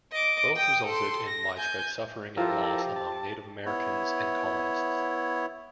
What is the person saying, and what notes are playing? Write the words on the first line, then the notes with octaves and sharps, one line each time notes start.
Both resulted in widespread suffering and loss among Native Americans and colonists.
D#5 D6
G5 D#6
A4 C6
A#6
G#5 G6
F3 E4 F4 G4 A4 A#4 C5
A5
B3 E4 C#5